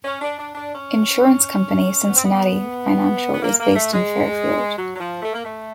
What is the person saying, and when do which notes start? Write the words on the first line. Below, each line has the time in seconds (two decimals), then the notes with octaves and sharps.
Insurance company Cincinnati Financial is based in Fairfield.
0.04 C#4
0.21 D4
0.39 D4
0.55 D4
0.73 C#4
2.08 B3
2.17 C4
2.25 B3
3.34 B3
3.42 A#3
3.60 A#3
3.75 A3
3.93 G#3
4.78 F#3
4.96 F#3
5.00 F3
5.22 A3
5.33 A#3
5.45 A3